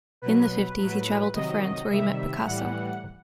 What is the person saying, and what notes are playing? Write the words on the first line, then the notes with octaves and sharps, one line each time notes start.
In the fifties he traveled to France where he met Picasso.
B2 F#3 B4
A2 F#3 B4
C3 D#3 F#3 D#5
C3 D#3 G3 E5
A2 E3 G3 F#5